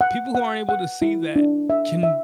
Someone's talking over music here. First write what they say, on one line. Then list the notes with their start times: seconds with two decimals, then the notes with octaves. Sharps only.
people who aren't able to see that can
0.01 F#5
0.35 F#5
0.69 F#5
1.02 E4
1.36 D4
1.70 E5
2.03 E5